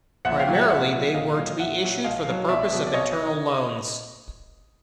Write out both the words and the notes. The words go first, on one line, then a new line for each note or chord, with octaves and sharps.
Primarily they were to be issued for the purpose of internal loans.
A#1 E5 F#5
F5 G5
A#2 F#3
E5 F#5
A#1 E5 F#5
A#2 F#3
A#1 D#5 F5
A#2 F#3
A#1 E5 F#5
A#2 F#3
B1 D#5 F5
B2 F#3
B1 D5 E5
B2 F#3
D5
B1 C#5 D#5